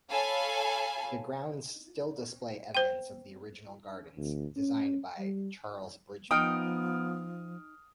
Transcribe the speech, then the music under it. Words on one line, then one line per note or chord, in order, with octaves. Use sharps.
The grounds still display evidence of the original gardens, designed by Charles Bridgeman.
A4 C#5 F5 G#5 A5 B5
C5 G5
D2
C#4
G3
F3 B3 D#4 G5 D#6 F6 D7